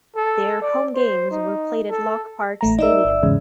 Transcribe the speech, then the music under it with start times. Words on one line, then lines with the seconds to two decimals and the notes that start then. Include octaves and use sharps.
Their home games were played at Loch Park Stadium.
0.16 A4
0.62 D5
0.95 C5
1.31 D#4
1.89 A4
2.61 A1 A3 A#5
2.79 D#4 A#4 D5 E5 E6
3.05 G1
3.23 E2 G#2 C#3